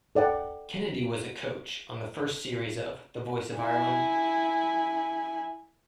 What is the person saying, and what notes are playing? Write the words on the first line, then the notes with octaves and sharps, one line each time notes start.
Kennedy was a coach on the first series of "The Voice of Ireland".
A4 D5 F#5 G5
E4 G#5